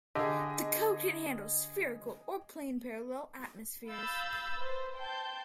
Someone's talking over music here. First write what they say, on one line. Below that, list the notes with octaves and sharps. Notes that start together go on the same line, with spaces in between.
The code can handle spherical or plane-parallel atmospheres.
D3 G4 G#4 D#5
F5 B5 E6 G6 A6
B4 C5
G5 A5 C6 G6